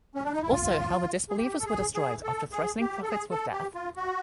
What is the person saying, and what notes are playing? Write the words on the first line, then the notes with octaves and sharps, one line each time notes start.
Also how the disbelievers were destroyed after threatening prophets with death.
C#4
D4
D#4
E4
F4
G#4
G4
A4
G#4
G#4
A4
G#4
G4
A4
G#4
A4
G4
F4
F#4